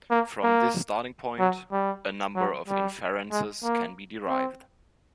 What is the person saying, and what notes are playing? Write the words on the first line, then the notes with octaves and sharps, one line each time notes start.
From this starting point, a number of inferences can be derived.
A#3
A#3
F#3
G3
F#3
G3
G#3
A#3
C4